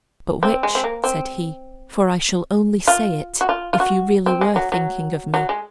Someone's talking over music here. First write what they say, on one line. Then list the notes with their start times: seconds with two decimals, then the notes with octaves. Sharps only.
'But which?' said he--'for I shall only say it if you really were thinking of me.
0.43 C4
0.63 G#3
0.75 C4
0.84 A#3
1.04 C4
2.88 F4
3.41 F#4
3.49 F4
3.73 F4
3.80 F#4
4.26 C4
4.41 G#3
4.56 F#3
4.72 F#3
5.34 F#3
5.49 G#3